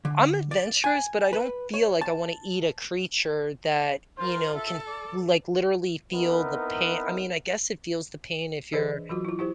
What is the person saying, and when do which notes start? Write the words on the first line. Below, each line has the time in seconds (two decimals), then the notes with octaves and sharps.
I'm adventurous, but I don't feel like I wanna eat a creature that, you know, can, like, literally feel the pain I mean, I guess it feels the pain if you're
0.05 D3
0.51 D5
0.84 G#5
1.33 B4
1.74 C#5
2.01 A5
4.18 F4 A#4 C5
4.54 A4 E5
4.87 D5
6.12 B3 C4 D#4 E4 A#4 B4
8.72 E3 D4 G#4 C5 D5 D#5
9.09 E3 F#3 F4 F#4
9.25 E4 F4
9.39 E4 G4 C5